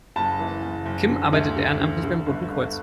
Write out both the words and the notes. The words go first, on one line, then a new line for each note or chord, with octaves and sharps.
Kim arbeitet ehrenamtlich beim Roten Kreuz.
F#1 A5
E3
F#1
F#1
D3
D2
D3
D3
D3
G1
G1